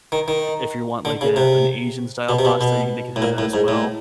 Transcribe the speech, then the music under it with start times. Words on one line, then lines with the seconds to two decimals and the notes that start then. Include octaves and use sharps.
if you want, like, a an Asian style pasta, you can they can have that as well,
0.12 D#3
0.28 D#3
1.05 D3
1.21 C#3
1.36 C3
2.29 B2
2.39 C3
2.45 B2
2.61 B2
3.16 A2
3.22 A#2
3.38 A2
3.54 G#2
3.68 A2